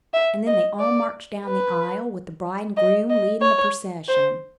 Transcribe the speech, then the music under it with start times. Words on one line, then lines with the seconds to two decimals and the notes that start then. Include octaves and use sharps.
And then they all marched down the aisle, with the bride and groom leadin' the procession.
0.14 E5
0.47 D#5
0.79 D5
1.46 B4
2.77 D#5
3.10 D#5
3.42 C#5
4.08 C5